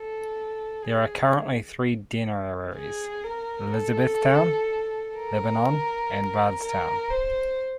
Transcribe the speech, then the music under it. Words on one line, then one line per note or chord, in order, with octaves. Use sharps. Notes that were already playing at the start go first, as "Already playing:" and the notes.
There are currently three deaneries: Elizabethtown, Lebanon, and Bardstown.
Already playing: A4
G#4
G#4
A#4
A4
A#4
A#4
C5